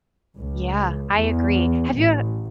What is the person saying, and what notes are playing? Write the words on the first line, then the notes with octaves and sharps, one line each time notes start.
Yeah, I agree. Have you ev
C#2
E2
A1